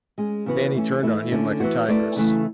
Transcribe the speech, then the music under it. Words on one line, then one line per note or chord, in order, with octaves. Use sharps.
Fannie turned on him like a tigress.
G#3 C#4 G#4
C#3 E3 B3 F#4 B4
E3 A3 C#4
E3 A3 E4
D3 A3 C#4
E3 B3 F#4
A3 E4 B4 D5
C#3 E3 A3 E4